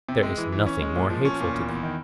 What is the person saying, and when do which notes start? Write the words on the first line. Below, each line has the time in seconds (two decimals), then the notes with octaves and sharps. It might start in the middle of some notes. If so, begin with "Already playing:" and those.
There is nothing more hateful to them.
0.09 C3
0.23 G#3
0.38 E3
0.52 E3
0.66 C#4
0.82 G#3
0.96 A#2
1.10 F3
1.25 C#4
1.40 A#2
1.54 E2
1.69 E2
1.83 D#3